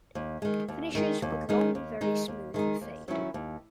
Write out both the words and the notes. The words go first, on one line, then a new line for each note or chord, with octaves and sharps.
Finishes with long, very smooth fade.
D#2
D#3 G#3
D#2
D#3 G#3 D#4
D#2
D#3 G#3 D#4
D#2
D#3 G#3 D#4
D#2
D#3 G#3 D#4
D#2
D#3 F#3 C#4 E4
D#2